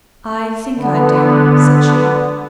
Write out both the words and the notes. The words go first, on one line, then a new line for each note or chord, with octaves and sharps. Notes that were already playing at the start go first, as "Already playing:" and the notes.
"I think I do," said she.
D3 B3